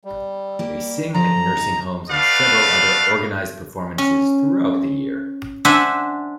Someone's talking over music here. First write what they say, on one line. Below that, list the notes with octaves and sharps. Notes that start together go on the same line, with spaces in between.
They sing at nursing homes and several other organized performances throughout the year.
G3
A#3 G4
F3 A4 D5 A#5
D#4
A3 F#4 B4 D5 F5
C#4
D4 C5 E5 F#5 G#5